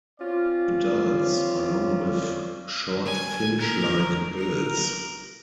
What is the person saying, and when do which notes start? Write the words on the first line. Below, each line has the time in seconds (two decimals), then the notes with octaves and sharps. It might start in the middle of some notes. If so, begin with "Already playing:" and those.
Adults are long with short finch-like bills.
0.20 C4 C#4 F4 D5
3.05 G#5
3.58 A#4
4.37 A#4